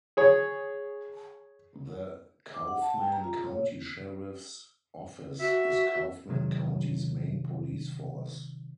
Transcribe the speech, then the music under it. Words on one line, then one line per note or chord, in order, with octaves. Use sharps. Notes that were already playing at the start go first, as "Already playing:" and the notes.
The Kaufman County Sheriff's Office is Kaufman County's main police force.
G#4 C#5
D6
F#5
A5
G5
A#5
F4
C#5
F#4 E5
C3 D#3 F#3 G#3